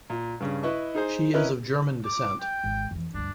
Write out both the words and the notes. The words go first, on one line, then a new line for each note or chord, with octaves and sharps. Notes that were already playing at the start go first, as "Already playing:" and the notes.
She is of German descent.
A#2
G2 C#3
E4 B4 D#5 E5 C#6
D#4 G#4 C5
C#4 E4 A#4 B4 D#5
D6
G5
G#1 E4
F2 E3
D2 G2 D4